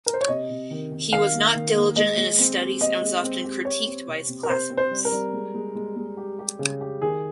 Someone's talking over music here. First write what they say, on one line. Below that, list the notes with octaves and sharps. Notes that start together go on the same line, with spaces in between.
He was not diligent in his studies and was often critiqued by his classmates.
A#4
C5
C#5
C3 D#5
C3
D#3
D#3
D#3 F5
A#3
D#3
A#3
G#3 D#5
G#3
C4
G4
C4 D#5
G#3
C4
G4
G4 C#5
C4
C3
C3
A#4
C3 C5
C4
C5
G3
A#4
G3
G#3
G#3
G#3
G#3
G4
G4
C#3
G4
D#3 G#4